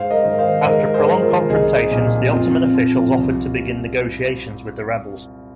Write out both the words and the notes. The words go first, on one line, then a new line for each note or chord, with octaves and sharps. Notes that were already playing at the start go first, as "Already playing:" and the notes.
After prolonged confrontations the Ottoman officials offered to begin negotiations with the rebels.
Already playing: G#2 C5 F5
A#4 D#5
D#3
C5 F5
G#2 A#4 D#5
G#4 C5
D#3
F4 A#4
C2 D#4 G#4
A#2 F3
F2 C4 F4
F3
C2